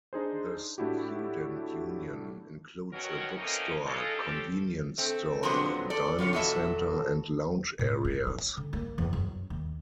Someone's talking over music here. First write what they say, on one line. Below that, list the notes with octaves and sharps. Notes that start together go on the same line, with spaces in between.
The Student Union includes a bookstore, convenience store, dining center, and lounge areas.
D4 D#4 G#4 C5
A2 A3 D4 E4 F#4 G4
B2 D#3 F#3 C#4 F#4 A#4
B2 A3 A#3 C4 C#4 D#4
G#3 D#4 F4 A4
C4 C#4 G4 A4
A3 C4
D3 F3 F#3 G#3 B3 C4
A4 D5
A2 D3 F4 C#5
E2 B2 F#3 A4 E5 A5
A2
E4
C#4
D3
A#3
E2
F#2
D#2